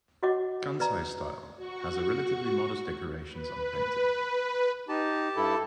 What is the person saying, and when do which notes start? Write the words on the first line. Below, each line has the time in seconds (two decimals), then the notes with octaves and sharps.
Kansai style has a relatively modest decorations unpainted.
0.23 F#4 C#5 D#5 F#5 D6
0.80 B4 D5 A#5
1.56 F#4 C#6
3.29 B4
4.89 D#4 G4 A5
5.36 G2 E4 A4